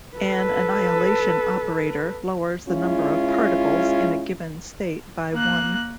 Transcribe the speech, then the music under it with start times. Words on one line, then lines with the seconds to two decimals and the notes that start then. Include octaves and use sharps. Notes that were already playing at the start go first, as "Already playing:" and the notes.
An annihilation operator lowers the number of particles in a given state by one.
0.17 A4 B4
2.69 G#3 C#4 E4 F4
5.33 A#3 F#6